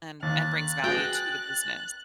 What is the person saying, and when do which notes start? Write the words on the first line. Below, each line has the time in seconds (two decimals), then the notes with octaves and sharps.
and and brings value to the business.
0.22 D#2 F#6 A6
0.84 F#4 G#4 G5